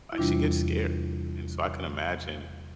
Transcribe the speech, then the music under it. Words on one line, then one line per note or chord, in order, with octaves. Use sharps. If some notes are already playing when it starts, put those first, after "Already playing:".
like, she gets scared, and so I can imagine
E4
E2 C3 E3 G3 D4 F4